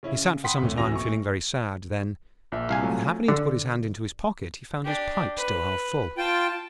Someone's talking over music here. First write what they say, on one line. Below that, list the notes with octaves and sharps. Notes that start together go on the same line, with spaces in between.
He sat for some time feeling very sad, then happening to put his hand into his pocket, he found his pipe still half full.
C#3 C#4 E4
C#3
F#5 G5 B5 C6 D#6 B6
D1 A3 C#4
D1 E3 F#4 A#6 F7
A#1 C#6
A#1 A#2 E5
C2 F5 G#5
F3 F#3 A3
D3
D4 G4
B4
F4 G5 A5